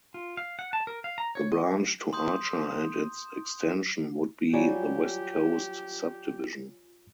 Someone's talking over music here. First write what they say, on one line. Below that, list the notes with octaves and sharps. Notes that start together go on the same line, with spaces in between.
The branch to Archer and its extension would be the West Coast Subdivision.
F4
F5
F#5
A5
A#4
F5
A#5
C#5
D#5
C6 D#6 G6
F#3 G3 F4 G4 G#5